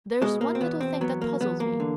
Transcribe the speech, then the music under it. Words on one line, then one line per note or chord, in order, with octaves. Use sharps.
But there's one little thing that puzzles me.
B2 G#3
A#3
C4
E2 B3
C4
F#3 B3
A#3
E2 B3
A#3
D3